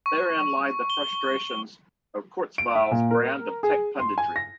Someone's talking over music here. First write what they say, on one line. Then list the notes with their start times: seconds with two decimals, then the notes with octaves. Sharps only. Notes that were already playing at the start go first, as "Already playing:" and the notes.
Therein lie the frustrations of Kurzweil's brand of tech punditry.
0.06 C#6
0.90 G7
2.58 D7
2.75 E5
2.91 A#2
3.11 A#4
3.63 G#4
3.99 C6
4.18 G#5
4.36 A#6